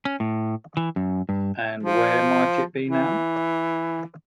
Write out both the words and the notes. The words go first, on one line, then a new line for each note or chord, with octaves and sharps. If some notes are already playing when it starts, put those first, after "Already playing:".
And where might it be now?
C#4
A2
E3
F#2
G2
F3
E3